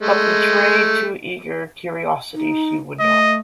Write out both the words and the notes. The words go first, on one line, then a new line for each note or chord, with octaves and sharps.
But betray too eager curiosity she would not.
G#3 A3
D#4
A3 D#5